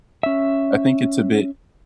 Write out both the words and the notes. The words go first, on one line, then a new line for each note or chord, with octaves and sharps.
I think it's a bit,
C#4 E5